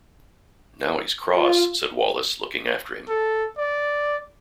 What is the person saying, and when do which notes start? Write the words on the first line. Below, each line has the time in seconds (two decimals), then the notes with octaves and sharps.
"Now he's cross," said Wallace, looking after him.
1.37 F4
3.08 A4
3.58 D5